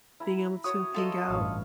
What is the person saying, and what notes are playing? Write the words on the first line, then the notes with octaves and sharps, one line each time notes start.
being able to hang out.
E4 A#5 B5
F#4 C#5 D#6
F4 A4 D#5
A1 G2 E5 F5